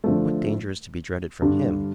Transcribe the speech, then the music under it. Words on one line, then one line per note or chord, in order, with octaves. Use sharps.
"But what danger is to be dreaded from him?"
D3 F3 A3
G2 D3 G3 D4